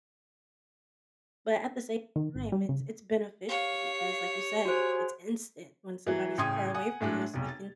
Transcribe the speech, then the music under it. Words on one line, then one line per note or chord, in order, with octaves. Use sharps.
But at the same time, it's it's beneficial because, like you said, it's instant. When somebody's far away from us, we can
D#3
G#1
G3
C#3
G4 C#5 F5
F#4 G#4 C5
E3 F#3
A1 C#3 G5 C6 D#6 G#6
F#5 G#5 D#6
A2 G#3 A3 D4
F1 B1
A6